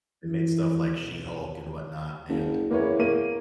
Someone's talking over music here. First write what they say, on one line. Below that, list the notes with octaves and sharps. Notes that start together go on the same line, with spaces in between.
they made stuff like She-Hulk and whatnot, and
E3
B1
F#1
E2 A#3 B4 C#5
A#3 D#7